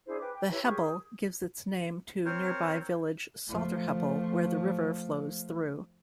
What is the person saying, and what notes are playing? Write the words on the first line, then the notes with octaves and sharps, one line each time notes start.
The Hebble gives its name to nearby village Salterhebble, where the river flows through.
D4 E4 G#4 C5
B4 G5 D6
G5
E4 G4 B4 C#5
G4 G#4 A#4 C#6
D#6
C4 A#4 C5 C#5
F3 A3